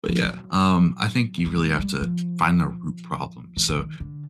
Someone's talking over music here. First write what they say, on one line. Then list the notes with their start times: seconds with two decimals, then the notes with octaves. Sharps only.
But, yeah, um, I think you really have to find the root problem, so
0.08 F3
0.24 F#3
1.46 G3
1.56 G#3
1.79 G3
2.01 F3
3.57 E3
3.69 D3
3.78 D#3
4.00 D3